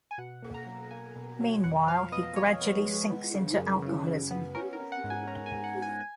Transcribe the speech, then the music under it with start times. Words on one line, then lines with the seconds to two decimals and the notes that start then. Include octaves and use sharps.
Meanwhile, he gradually sinks into alcoholism.
0.11 G#5
0.18 B2 F#5
0.43 A#3
0.54 A#5
0.66 F#3
0.91 A#3 G#5
1.16 B2
1.40 F#3
1.64 F2 F#5
1.88 F3 F5
2.12 B3 D#5
2.36 B3 C#5
2.61 B3
2.85 G#3
3.10 B3
3.34 C#3
3.58 F#2
3.82 C#3
4.07 C#3
4.31 B3
4.55 C#4 A#4
4.73 A#4
4.80 C#4
4.92 F#5
5.04 G#2
5.10 G#5
5.27 C#4 A#5
5.46 G#5
5.52 G#2
5.64 F#5
5.76 G#2
5.82 G#5
6.01 G#5